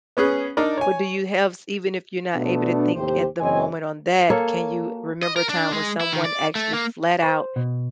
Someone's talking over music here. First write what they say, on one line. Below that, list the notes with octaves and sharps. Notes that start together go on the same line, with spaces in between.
But, do you have s even if you're not able to think at the moment on that, can you remember a time when someone actually flat out,
B3 C#4 G#4 B4
D4 D#4 A#4 D5
C#5 G#5
B2 A3 B3 D4
D#2 A2 C3 G4 C5
F#1 C4 C5 C#5 D#5 G#5
A#3 A4 C#5
D#5
A#4
D4
G#3
E4
D#3
D5
A3
A#3
C5
B2